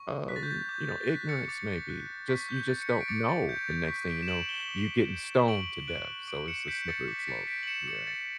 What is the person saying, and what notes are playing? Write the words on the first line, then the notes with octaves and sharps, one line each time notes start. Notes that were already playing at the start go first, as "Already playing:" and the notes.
um, you know, ignorance, maybe. Just you just don't know. The next thing you know, you're getting stoned to death, so it's a slippery slope. Yeah.
Already playing: C#6
F#6 B6
A6
G6
A6
D6 G6
A6
A6
F#6 B6
A6 C#7
D6 A6
F#6
C#6 B6
G6
G6 A6
C#7
B6
D7
D6 A6 C#7
A6
G6
G6
A6
C#6 B6
B6 D7
E7
G6 D7 F#7
E7 G7
D6
G6
C#6 D7 F#7
F#6 D7 F#7
D6 D7 F#7
C#7 E7
G6 B6 D7
A6 C#7
D6 B6
B6
A6 C#7
G6 B6 D7
F#7
C#7 E7
D6 C#7 E7
A6 C#7